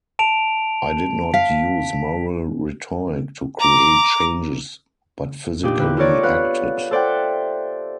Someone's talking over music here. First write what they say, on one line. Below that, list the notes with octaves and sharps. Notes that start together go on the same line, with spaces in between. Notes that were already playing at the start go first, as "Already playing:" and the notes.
It did not use moral rhetoric to create changes but physically acted.
A5 D7 F7
F5 B6
A#5 D6
A#2 D4 D#4 G4
D3 C4 B4
F4 G4 A4 A#4 C#5 D5
B3 B4 F5 F#5
A4 C5 D5 E5 F#5 G5